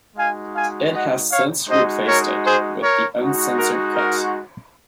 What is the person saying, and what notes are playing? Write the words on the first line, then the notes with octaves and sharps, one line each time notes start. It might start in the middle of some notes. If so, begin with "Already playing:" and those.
It has since replaced it with the uncensored cut.
G#3 D#4 F#4 F5 G#5
F5 G#5
D#5 F#5
C#5 F5
G#3 D#4 F#4 C5 D#5
A#4 C#5
G#4 C5
A#4 C#5
G#3 D#4 F#4
A#4
A#4